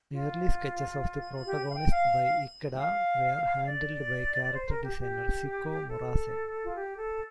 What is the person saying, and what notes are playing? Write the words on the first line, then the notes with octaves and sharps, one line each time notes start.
Early sketches of the protagonists by Ikeda were handled by character designer Shuko Murase.
F4
G4
F5
G5
F5
F5
D5
C5
A#4
G4
G4
A4
F4
G4
A4